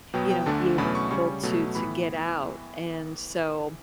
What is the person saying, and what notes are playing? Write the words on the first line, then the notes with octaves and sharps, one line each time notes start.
you know, be able to to get out, and so,
B2 F#3 B3 G5
G5
D2 D3 A3 D4 A5
E2 B2 F#3 A3 C#4 B5
C#6
C#3 G3 C#4 C#6
B2 F#3 A3
A2 E3 B3 B5